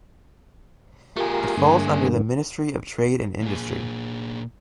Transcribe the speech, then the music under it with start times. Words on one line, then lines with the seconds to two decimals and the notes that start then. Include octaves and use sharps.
It falls under the Ministry of Trade and Industry.
1.16 A3 F4 G4 G#4 A#4
1.57 G2 D3 A#3
3.42 A#2 G#4